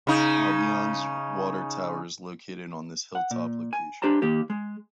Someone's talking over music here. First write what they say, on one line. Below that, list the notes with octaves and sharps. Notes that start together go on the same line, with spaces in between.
Albion's water tower is located on this hill-top location.
C#3 D#4
F#5
A#2
G#5
D4 G4 C5 A5 A#5
D#3 A#3 G4
G#3